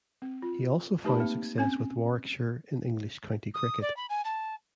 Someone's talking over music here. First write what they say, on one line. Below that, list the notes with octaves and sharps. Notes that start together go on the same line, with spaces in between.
He also found success with Warwickshire in English County cricket.
C4
F4
A3 D#4 G4 B4 A5 B5
A#3 C4
C4 C#4 G#5
D#6
D5
B5
G#5
A5